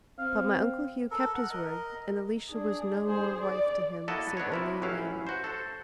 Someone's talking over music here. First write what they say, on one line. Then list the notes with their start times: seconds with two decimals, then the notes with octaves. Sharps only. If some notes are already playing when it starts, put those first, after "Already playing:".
But my Uncle Hugh kept his word, and Alicia was no more wife to him, save only in name.
0.18 C4 F5
1.11 A4 A#4
1.34 A#4 F#5
1.50 A#4 D#5
2.50 D4 G#4
3.07 G#4 C5
3.41 D5
4.08 A#3 E4 F#4 A4 D#5 A5
4.37 B3 D4 B4 C#5
4.52 C3 E4 A#4
4.82 A1 F#3 C#4 E4 F5
5.27 F#4 C5
5.44 A4 C5